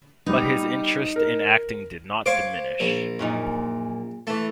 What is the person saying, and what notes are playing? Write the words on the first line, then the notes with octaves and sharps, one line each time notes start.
But his interest in acting did not diminish.
G3 B3 D#4
A#4
C5 C#5 F5 D6
A#1
F#2 A#2 D#4
E3 A3 E4